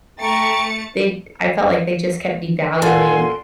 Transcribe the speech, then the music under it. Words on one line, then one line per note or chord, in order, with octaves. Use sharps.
they I felt like they just kept devaluing
A3 G5 A#5 C#6 A6 C#7
A#2 A4 F#5 G#5 C6